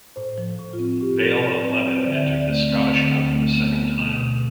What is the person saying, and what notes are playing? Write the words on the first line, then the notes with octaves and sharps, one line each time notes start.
Vale of Leven entered the Scottish Cup for the second time.
A2 C5
F3
A2
F4
C4
A2 G4
F3 A4
A2 D5
C4 B4
C4
C5
D3 D5
E5
D2
D5
A3
C4
D3
D2
A3
B3
B3
B2
B2